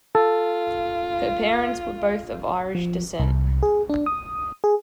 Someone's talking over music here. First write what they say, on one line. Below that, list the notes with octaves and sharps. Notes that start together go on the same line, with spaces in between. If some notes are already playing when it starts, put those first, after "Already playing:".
Her parents were both of Irish descent.
F4 A4
F3
C2
G#4
D4
D#6
G#4